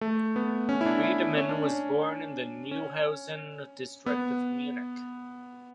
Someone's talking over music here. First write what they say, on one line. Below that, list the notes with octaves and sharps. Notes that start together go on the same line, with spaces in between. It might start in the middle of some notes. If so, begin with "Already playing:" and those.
Wiedemann was born in the Neuhausen district of Munich.
A3
B3
C#4
E4
D4
E4
C#4
D4
C#4
C#4
B3